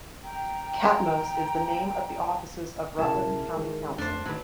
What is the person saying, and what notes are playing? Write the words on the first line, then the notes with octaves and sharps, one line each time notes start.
Catmose is the name of the offices of Rutland County Council.
G5 A#5
B1 C#3 E4 A#4 A5
D#3 G#3
F2 A3 D4 C5
A2 D3 D#3 F#3 D4 B4